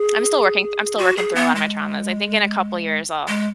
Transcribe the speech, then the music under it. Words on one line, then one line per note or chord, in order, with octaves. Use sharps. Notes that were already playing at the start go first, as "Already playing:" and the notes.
I'm still working I'm still working through a lot of my traumas; I think in a couple of years, I'll
Already playing: G#4
F#4
G#4
B3
G#3
G#3